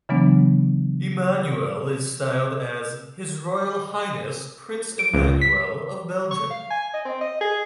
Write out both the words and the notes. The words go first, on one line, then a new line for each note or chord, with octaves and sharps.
Emmanuel is styled as "His Royal Highness Prince Emmanuel of Belgium".
C#3 E3 F#3 G#3 B3 D4
D7
C#2
B6
C#6
F5
G#5
D#5
C4
D#5
G#4